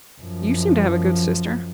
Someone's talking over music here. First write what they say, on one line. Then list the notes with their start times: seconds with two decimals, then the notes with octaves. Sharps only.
'You seem to have a good sister.'
0.21 F#2 F3